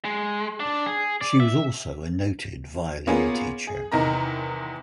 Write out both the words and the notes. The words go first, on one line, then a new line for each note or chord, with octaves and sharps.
She was also a noted violin teacher.
G#3
D4
G#4
D5
E5
A#3 B3 C#4 F4 G#4
G#4
E2 C3 D#3 A#4 D#5 A#5